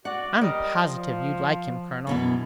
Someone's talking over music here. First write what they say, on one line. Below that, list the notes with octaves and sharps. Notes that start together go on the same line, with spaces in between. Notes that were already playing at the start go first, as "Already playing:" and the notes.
"I'm positive you'd like him, colonel."
F#4 D5 F#5
G3 A#4 D5 D#5
F3
F#2 B2 E3